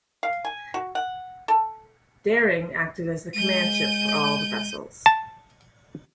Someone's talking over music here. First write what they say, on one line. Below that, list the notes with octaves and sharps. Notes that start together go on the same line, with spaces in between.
"Daring" acted as the command ship for all the vessels.
F5
G#5
F#4
F#5
A4
G#3 G6 D#7
A5